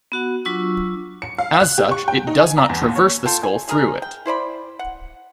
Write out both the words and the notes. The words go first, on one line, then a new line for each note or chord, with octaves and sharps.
As such it does not traverse the skull through it.
B3 F#4 F#5
F#3 D4 F4 C#6 E6
C#7
F5
F#6
G4
C#6
G5
D#4
G#5
A#5
E2
D#2
C#5
F4 A4 G5
G#5
G#3 G#4 A#4
G5
E4 C5 D5 B5
F#5